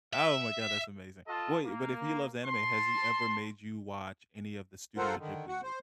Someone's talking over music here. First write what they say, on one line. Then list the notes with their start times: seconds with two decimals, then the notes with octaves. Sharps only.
Oh my god, that's amazing. Wait, but if he loves anime, has he ever made you watch any of the Studio Ghibli movies?
0.13 E5
1.28 F4 A4 D#5 A5
1.64 A#3
2.47 A5 C6
4.97 F4 A4 A#4 C5 F#5
5.18 D3 D#3
5.48 F#4 F#5
5.63 C5